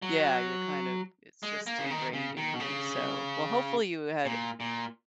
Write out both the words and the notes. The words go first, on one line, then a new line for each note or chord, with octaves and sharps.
yeah, you're kind of it's just ingrained in you, so, well, hopefully you had
F#3
G#3
A#3
C#3
D#3
C#3
D#3
B2
C#3
A#2
A#2